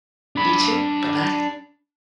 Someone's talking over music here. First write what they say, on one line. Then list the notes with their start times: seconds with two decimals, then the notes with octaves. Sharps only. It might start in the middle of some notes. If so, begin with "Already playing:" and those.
You too. Bye-bye.
0.36 D4 B5